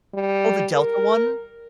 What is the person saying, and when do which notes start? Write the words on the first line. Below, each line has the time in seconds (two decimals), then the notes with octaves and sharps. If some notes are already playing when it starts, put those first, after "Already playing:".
Oh, the Delta one?
0.14 G3
0.73 A#4